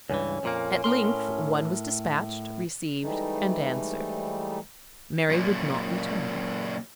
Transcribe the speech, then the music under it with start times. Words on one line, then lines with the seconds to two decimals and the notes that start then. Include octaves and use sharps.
At length one was dispatched, received, and answered: Mary would not return.
0.10 C#2 G2 E3 C#4
0.43 F2 A#2 A#3
0.84 A2 A#4 C6
3.03 G#2 E3 G3 A3 D#4
5.29 F#2 A#2